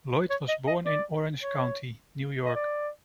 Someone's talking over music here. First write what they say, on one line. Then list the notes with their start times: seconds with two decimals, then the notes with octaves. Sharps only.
Loyd was born in Orange County, New York.
0.30 C#5
0.48 D#5
0.67 D#5
0.86 D5
1.43 C#5
2.45 D#5
2.55 D5